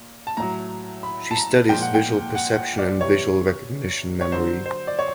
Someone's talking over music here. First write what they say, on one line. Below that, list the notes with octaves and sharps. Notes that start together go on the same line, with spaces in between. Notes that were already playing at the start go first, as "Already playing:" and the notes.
She studies visual perception and visual recognition memory.
Already playing: A#2
A5
A2 F#3 A#5
B5
A5
A#5
A#2 F3 G#3 G5
F#5
G5
F#5
F#5
D5
C3 E3 G3 C#5
C#5
D3 F#3 C5
C5
D5
C#5